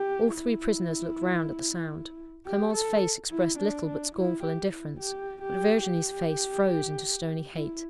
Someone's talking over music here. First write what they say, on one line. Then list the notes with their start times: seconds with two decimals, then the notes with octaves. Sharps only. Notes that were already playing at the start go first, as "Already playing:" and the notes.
All three prisoners looked round at the sound. Clement's face expressed little but scornful indifference; but Virginie's face froze into stony hate.
Already playing: G4
0.34 E4
2.46 G4
2.74 A4
3.31 E4
3.59 D4
3.87 D4
4.15 E4
4.43 G4
4.71 E4
5.00 G4
5.42 G4
5.84 G4
7.53 E4